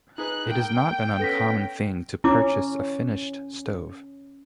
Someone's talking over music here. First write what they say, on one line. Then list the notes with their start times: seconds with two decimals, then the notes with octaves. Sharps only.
It is not an uncommon thing to purchase a finished stove.
0.18 D#4 G#4 B4 F#6
0.49 A#3 G5
1.20 B3 C#4 A4 A#6 B6
2.24 C#4 E4 D6